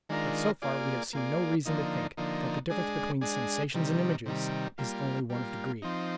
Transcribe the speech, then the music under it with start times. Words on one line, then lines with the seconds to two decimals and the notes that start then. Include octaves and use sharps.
But so far we have seen no reason to think that the difference between sensations and images is only one of degree.
0.09 D#3 G#3 D4 F4 A#4
0.62 A#3 F4 G#4 D5
1.13 A#3 F4 G#4 D5
1.65 D3 F3 A#3 D#4
2.17 D3 F3 A#3 D#4
2.70 G#3 D4 G#4
3.21 G#3 D4 G#4
3.74 C3 D#3 G3
4.26 C3 D#3 G3
4.78 G3 A#3 F4
5.30 G3 A#3 F4
5.82 F3 C4 D#4